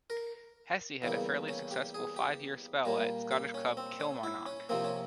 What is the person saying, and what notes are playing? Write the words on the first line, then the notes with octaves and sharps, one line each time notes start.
Hessey had a fairly successful five-year spell at Scottish club Kilmarnock.
A#4
E2 C#3 G3 A#3
C#4
G4
G#4
G4
A#2 G3 A#3
G4
C#4
C4
C#4
E4
C#4
C3 F3 A#3 C4
C#4